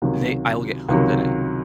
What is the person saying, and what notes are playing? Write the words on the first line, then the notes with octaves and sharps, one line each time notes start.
they I will get hooked in it,
C#2 C3 D#3 F#3
C#2 C3 D#3 F#3